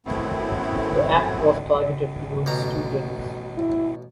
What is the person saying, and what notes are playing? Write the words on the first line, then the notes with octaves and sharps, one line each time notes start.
The Act was targeted towards students.
F#2 A2 A3 B3 C4 E4
A1 B2 A#5
E4